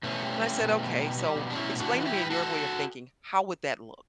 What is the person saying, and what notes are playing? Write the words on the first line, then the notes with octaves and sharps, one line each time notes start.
and I said, "Okay, so explain to me in your way of thinking, how would that look?
B2 A3 C#4
G3
G3
B2
B2
G3
G3
B2
D4
A2 C#4 E4
A2
D4 F#4
E3
F#4
E4 G4
G3
B4
A2 F#4 A4